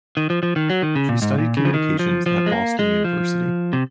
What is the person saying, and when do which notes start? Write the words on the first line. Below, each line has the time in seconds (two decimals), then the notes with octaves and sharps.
She studied communications at Boston University.
0.17 D#3
0.30 F3
0.43 F3
0.56 D#3
0.70 F#3
0.82 D#3
0.95 C#3
1.09 A#2
1.22 G#2
1.38 A#2
1.57 C#3
1.65 F3
1.74 D#3
1.99 F3
2.26 F3
2.46 G#3
2.52 A#3
2.79 G#3
3.04 F3
3.73 C3